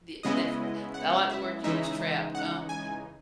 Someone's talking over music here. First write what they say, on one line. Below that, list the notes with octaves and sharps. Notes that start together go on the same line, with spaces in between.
De Definitely. I like the word you use, "trap". Um,
C#3 G#3 B3 E4 D#5
F#5
E5
C#3 E3 G#3 D#4 E5
F#5
G#5